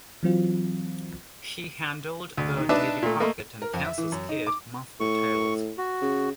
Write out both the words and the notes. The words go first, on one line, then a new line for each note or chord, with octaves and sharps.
He handled the "Davy Crockett" and "Kansas Kid" monthly titles.
E3 F#3 C4 F4
D2
D#3
D4 D#4 B4 E5 A5 D6
A#2 A3
A3 A#3 D#5
A#4
F2
E5
E3
F#2
D#4
D6
A2 C#6
F#4
C#3